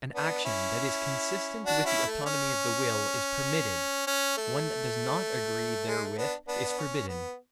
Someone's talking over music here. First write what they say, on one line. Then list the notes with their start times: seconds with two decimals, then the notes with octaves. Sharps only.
An action that is consistent with the autonomy of the will is permitted; one that does not agree therewith is forbidden.
0.15 B3 D4
0.45 C#4 E4
1.66 D4 F#4
1.85 C#4 E4
2.06 A3
2.25 C#4
4.07 C#4
4.37 A3
5.87 G#3
6.03 A3
6.17 B3 D4
6.48 B3 D4
6.68 D4
6.78 C#4
7.08 B3